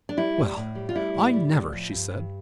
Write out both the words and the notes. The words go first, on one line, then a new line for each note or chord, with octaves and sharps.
"Well, I never," she said.
D4
G3 E4
A2
A2
G3
F4
G3 E4
A2
G3
A2
F3
G2
G2